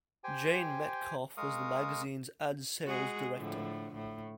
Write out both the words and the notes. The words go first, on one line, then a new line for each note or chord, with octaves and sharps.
Jane Metcalfe was the magazine's ad sales director.
G4 C5 G5 G#5
G#3 A#4 F5 C#6 D#6
G#3 F#4 G#4
A2 D3 F3
A2